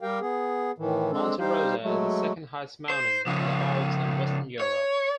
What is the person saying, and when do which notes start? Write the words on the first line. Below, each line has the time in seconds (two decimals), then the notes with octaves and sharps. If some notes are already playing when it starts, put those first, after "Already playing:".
Monte Rosa is the second highest mountain in the Alps and western Europe.
0.01 G3 G4 A#4 F5 G5
0.21 B3 G#4
0.78 A2 D#3 E3
1.12 G#3 C4 D4 A4
1.39 G3 D#4 G4 C5 F5
1.83 F#3 G#3 A3
2.90 C5
3.27 C#3 F3
4.60 C#5